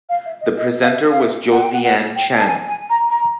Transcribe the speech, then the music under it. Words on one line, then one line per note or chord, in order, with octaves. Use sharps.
The presenter was Josiane Chen.
F5
E5
D#5
D#5
F5
E5
F5
E5
F#5
G5
F#5
F#5
G5
A5
G#5
G#5
A#5
A#5